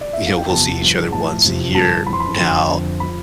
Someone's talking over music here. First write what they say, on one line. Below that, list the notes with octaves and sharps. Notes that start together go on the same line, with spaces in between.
you know, we'll see each other once a year now,
D5
E5
F5
G5
E2 C3 F3 A5
G2 F3
A2 F3 A5
F2 C3 F3
G2 D3 F3 A5
F2 E3 B5 C6
B5
F2 D3 F3 C6
F2 D3 F3
B5
F3